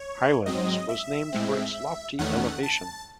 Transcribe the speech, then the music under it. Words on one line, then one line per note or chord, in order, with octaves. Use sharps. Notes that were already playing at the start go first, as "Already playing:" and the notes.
Highlands was named for its lofty elevation.
Already playing: C#5
G#2 F#3 C4 D#5
E5
A2 G#3 C4
E2 D#3 A3 C#4 F#5
A5